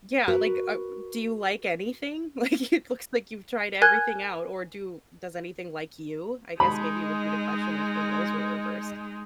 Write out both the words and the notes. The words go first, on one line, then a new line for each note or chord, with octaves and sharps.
Yeah, like, uh, "Do you like anything?" Like, "It looks like you've tried everything out, or do does anything like you?" I guess maybe would be the question if the roles were reversed.
F#4 A#4 B4
A#4 G#5 F#6 G#6
G#3 D#4 B5